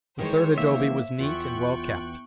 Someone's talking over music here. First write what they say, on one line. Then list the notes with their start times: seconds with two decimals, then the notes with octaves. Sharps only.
The third adobe was neat and well kept.
0.19 D#3 E3 G#3 C5 C#5
0.58 A#3 E5
1.20 E2 F4 G5 C#6 F#6